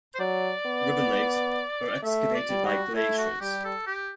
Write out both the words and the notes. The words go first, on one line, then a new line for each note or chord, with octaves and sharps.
Ribbon lakes are excavated by glaciers.
C5
F#3 D5
B3
A3 E5
D5
G3
F#4
A3 E4
F#4
G3 G4
A4
G4